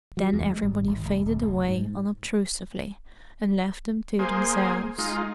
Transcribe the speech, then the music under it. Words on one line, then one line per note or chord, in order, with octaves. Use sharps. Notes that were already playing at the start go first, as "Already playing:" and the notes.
Then everybody faded away unobtrusively, and left them to themselves.
F#3
E2
G#3
G#1
G#1
F1
D1
F1
G#2
A#3 G#4 C5
G#3 D#4 F4